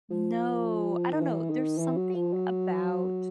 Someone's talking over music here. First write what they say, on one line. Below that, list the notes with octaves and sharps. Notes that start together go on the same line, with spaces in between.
No, I don't know, there's something about
F3
D#3
E3
D#3
E3
F#3
F3
F#3